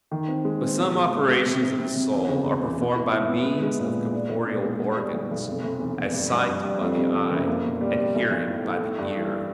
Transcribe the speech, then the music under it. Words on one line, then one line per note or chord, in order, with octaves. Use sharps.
But some operations of the soul are performed by means of corporeal organs; as sight by the eye, and hearing by the ear.
D#3
C4
G#3
C4
B2
G#3
B2
G#3
C3
C3
C3
C3
E2
C#3
C#3
E2
B2
E4
E4
B3
G#3
G#3
A#2
A#2
D4
B2
D4
G#3
B3
G3
B1
B1
F1
F1
E2
F1
G2
G2
G2
G2
F2
C3
F2
F#1
A#3
B2
G3
G3
B1
B1
A2
A2
A3
G2
E3
E3